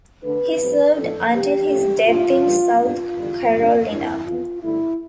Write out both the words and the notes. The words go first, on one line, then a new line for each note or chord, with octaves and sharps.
He served until his death in South Carolina.
D3 A3 D4 B4
A2 G3 C4
A2 F3 B3 D4 A4
C3 G3 B3 G4
A2 F3 A3
A2 G3 D4 F4
A2 E3 G3 D4
A2 G3 B3 D4 F4
E2 D3 G3
G2 D3 G3 D4
D3 G3 D4 E4
F2 E3 B3 F4
G2 D3 A3 E4